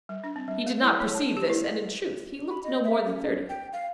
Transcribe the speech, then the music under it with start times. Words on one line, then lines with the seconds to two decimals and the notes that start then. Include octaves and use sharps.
He did not perceive this, and in truth he looked no more than thirty.
0.09 G3
0.24 D4
0.36 C4
0.48 G3
0.66 A3
0.82 E4
1.00 C#5
1.15 A5
1.37 G4
1.50 E4
2.50 B5
2.64 D#5
2.84 E5
3.06 C#4
3.49 G5
3.73 F5